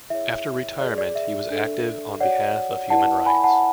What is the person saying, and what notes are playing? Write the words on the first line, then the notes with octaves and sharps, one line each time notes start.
After retirement he was active on behalf of human rights.
E4 G#4 C#5 E5
G#4 D5
D5
E5
D4 A4 D5
F#4 C#5 D5 F#5
E4 B4 D5 F#5 A5
G#5 B5
F#5 A5